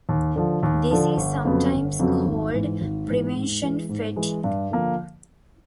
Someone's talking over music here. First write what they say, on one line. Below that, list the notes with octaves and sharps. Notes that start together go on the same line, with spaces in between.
This is sometimes called "prevention fatigue".
D#2
D3 F3
D#2
D3 F3
G1
F2 C#3 F#3 B3
G1
F2 C#3 F#3 B3
G#1
G#2 E3
G#1
G#2 E3
G#2
E3 G#3
G#2
E3 G#3
G2
D3 F3 A#3